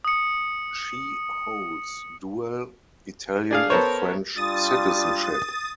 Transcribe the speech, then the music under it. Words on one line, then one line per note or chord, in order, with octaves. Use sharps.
She holds dual Italian and French citizenship.
D#6 C#7
D4 G#4 F5
B3 A4 A#4 C5 C#5
G3 D4 F4 D#6 A6